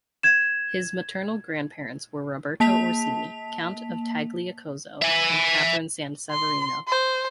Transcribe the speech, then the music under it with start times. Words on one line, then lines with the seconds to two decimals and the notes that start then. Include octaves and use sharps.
His maternal grandparents were Roberto Orsini, Count of Tagliacozzo and Catherine San Severino.
0.23 G#6 E7
2.60 A#3 A5 B6 F7
5.02 E5 G#5
6.31 C6
6.88 C5